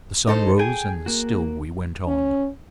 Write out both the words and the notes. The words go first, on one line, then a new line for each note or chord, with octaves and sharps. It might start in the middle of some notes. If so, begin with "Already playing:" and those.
The sun rose and still we went on.
D#4 A4 C5
G#4 G5 G#5
A#3 F#4
C#4